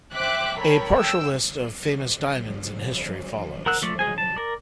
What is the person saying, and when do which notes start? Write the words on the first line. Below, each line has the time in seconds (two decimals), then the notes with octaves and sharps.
A partial list of famous diamonds in history follows.
0.14 C5 E5 G5 D6 F#6 B6
0.57 A4 A#4 C#5 G5 B5
0.98 G5 E6
3.66 A#4 F#5 E6 F#6
3.82 F3 A3 D5
3.99 F#3 G#3 G#4 G#5
4.18 A5
4.36 A#4 D5